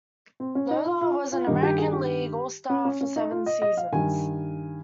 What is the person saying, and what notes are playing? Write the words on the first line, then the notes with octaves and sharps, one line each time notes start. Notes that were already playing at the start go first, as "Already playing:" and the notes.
Lollar was an American League All-Star for seven seasons.
C4
C#4
D#4
F4
F4
F4
G2 D#3 D#4
G4
G#4
G4
C#4
C#4
C#4
D#4
F4
D#5
D#5
F5
G2 D#3 G#5